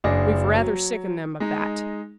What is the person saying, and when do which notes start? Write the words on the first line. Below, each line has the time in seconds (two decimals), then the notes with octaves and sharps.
We've rather sickened them of that.
0.04 F#1 D4 G#4 D6 A#6
0.55 F#3
1.40 G#3 D#4